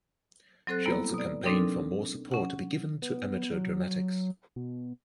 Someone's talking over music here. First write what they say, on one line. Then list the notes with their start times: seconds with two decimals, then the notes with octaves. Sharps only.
She also campaigned for more support to be given to amateur dramatics.
0.67 F#3 C4 A4 C5 F#6
0.86 G3 A#3 B3 E4
1.14 B2 D5
1.44 C4 D4 D#4 A4 A#4 G5
2.31 C#4 F#5
3.02 B3
3.52 F#3
4.56 B2